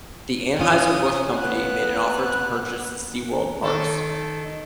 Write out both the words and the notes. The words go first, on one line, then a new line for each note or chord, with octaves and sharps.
The Anheuser-Busch Company made an offer to purchase the SeaWorld parks.
C#4 F4 D#6
B3 F#6
D#3 A4